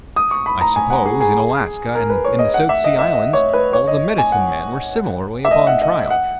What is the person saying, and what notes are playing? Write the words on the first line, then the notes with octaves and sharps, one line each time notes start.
I suppose, in Alaska and in the South Sea Islands, all the medicine men were similarly upon trial.
D#6
C#6
B5
A#5
G#5
F#5
G#4
G#4
A#4
B4
C#5
D#5
F#5
E5
D#5
E5
D#5
C#5
B4
C#5
D#5
G#5
F#5
E5
D#5
F#5
D#5
F#5